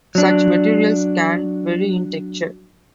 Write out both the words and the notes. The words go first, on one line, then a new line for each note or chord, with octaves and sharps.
Such materials can vary in texture.
F#3 D4